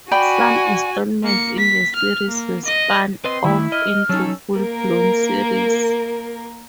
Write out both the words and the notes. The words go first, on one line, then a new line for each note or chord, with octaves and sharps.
Some installments in the series were spun off into full-blown series.
F#4 D5 G5 G#5 B5
A#3 C#7
B6
F6
A#3
D#5
C4 B4 D#5 C6
D#3 A3 E4
D#5 F6
F#3 C#4 D#4 A4
A#3 A#4